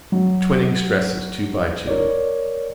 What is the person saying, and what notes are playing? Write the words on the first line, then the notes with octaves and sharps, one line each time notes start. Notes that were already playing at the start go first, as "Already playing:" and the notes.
The twining stresses, two by two.
F#3
A#4 C#5 D5